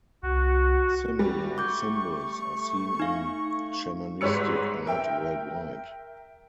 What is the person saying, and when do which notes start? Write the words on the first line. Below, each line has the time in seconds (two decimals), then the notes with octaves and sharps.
Similar symbols are seen in shamanistic art worldwide.
0.23 C2 F#4
1.19 G3 F#4
1.58 A3 C#6 D6 G6
3.00 D#4 F5
4.21 G#2 G3 B4 C#5 E6 C#7
4.86 A#4 E5 G5